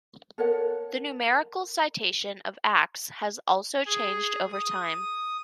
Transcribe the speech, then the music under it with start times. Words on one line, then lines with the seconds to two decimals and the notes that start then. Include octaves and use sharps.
The numerical citation of Acts has also changed over time.
0.38 A4 A#4 C#5 F#5
3.86 G#4
4.52 D#6